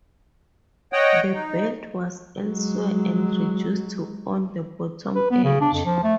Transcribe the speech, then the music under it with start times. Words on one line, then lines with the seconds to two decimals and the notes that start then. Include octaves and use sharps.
The belt was elsewhere and reduced to on the bottom edge.
0.93 C#5 D#5 F#5 G5
1.34 D#4
2.39 F#3 G#3
5.15 B4
5.31 B3
5.44 C#3
5.61 D4
5.73 F2
5.85 F3
6.04 A3